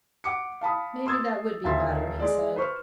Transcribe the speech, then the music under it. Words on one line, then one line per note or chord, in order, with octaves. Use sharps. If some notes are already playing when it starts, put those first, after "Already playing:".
"Maybe that would be better," he said.
F#5 D6 C#7
F5 A5 B5 D#6
C6 D#6 E6 G#6 A6
D#1 D2 F4 E5 C6 A6
G#3 D5
B4 C5 C#6 F6